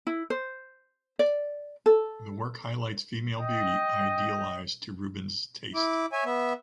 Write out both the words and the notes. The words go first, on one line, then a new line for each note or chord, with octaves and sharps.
The work highlights female beauty, idealized to Rubens’ taste.
E4
C5
D5
A4
D#5 G5
E4 D6
C#5 E5 G#5
B3 E5